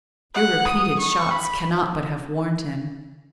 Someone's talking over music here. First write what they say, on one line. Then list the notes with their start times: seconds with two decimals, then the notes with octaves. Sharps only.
Your repeated shots cannot but have warned him.
0.34 F#5
0.66 D#6
0.99 C#6
1.31 B5